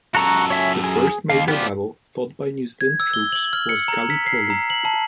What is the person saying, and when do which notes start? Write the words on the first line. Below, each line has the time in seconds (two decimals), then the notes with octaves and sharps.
The first major battle fought by New Zealand troops was Gallipoli.
0.15 F#2 F#4 A4 A#5 C#6
0.50 C#5 E5 G#5
0.84 G#4
1.30 D#2 F5
1.48 F3 B3 G4 D5
2.81 G#6
3.00 E6
3.13 G7
3.32 F#7
3.53 F6
3.69 C#7
3.88 A#5
4.10 B6
4.26 C7
4.50 A#5
4.70 F#7
4.85 A5